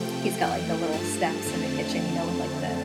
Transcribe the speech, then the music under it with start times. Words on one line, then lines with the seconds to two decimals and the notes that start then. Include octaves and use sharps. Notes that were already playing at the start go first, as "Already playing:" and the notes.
he's got, like, the little steps in the kitchen, you know, with, like, the
Already playing: C3 F3 A3 G5
0.41 F2 E3 A3 G5
0.93 G2 F3 A3 A5
1.45 F2 D3 A3 C4